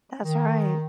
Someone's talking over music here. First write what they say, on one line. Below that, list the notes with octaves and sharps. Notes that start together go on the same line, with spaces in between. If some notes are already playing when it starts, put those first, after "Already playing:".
That's right.
D#3